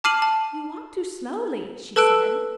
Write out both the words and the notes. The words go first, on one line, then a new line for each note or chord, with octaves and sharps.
"You walk too slowly," she said.
A5 D6 F6 C7 D#7 F#7
A5
A4 B4 A5 E6 F#6 D7